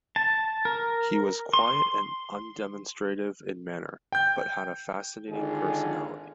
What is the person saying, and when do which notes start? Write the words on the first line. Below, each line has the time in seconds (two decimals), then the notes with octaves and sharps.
He was quiet and undemonstrative in manner, but had a fascinating personality.
0.16 A5
0.65 A#4
1.54 C6
4.12 G5 G6
5.29 G#1 D3 D#3 G#3 F4 G#4